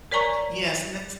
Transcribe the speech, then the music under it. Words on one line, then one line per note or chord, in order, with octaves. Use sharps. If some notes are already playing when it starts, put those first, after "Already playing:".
Yes, and that's
A#4 C#5 D5 G#5 A#5 C#6